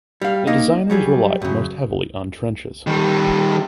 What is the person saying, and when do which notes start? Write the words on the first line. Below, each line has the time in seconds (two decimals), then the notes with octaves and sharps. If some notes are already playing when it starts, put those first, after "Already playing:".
The designers relied most heavily on trenches.
0.22 G3 F5
0.47 A#3 D#4 D#5 F5
0.90 F#3 G3 G#4
1.42 F#2 C#3
2.87 D#3 G3